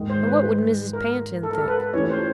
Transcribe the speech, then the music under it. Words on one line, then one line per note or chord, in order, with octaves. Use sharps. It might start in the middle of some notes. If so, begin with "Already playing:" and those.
And what would Mrs. Pantin think?
Already playing: G#2 D#3 G#3
C5
B4
A#4
A4
A#4
A4
B4
E3 A3 C#4 E4 G4 C#5
C5